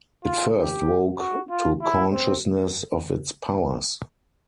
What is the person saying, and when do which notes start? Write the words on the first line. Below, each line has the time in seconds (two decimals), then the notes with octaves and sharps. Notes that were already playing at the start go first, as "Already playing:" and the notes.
It first woke to consciousness of its powers.
0.24 F4
0.56 G4
1.18 F#4
1.50 F4
1.82 E4
2.13 C4